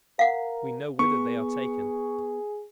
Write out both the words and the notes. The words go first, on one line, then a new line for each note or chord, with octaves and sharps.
We know whither they are taken!
A#4 F5 F#5
B3 G#4 C#6